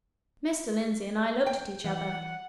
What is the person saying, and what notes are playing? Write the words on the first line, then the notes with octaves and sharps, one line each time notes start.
Mr. Lindsey and I looked at each other.
G5
E3 F#5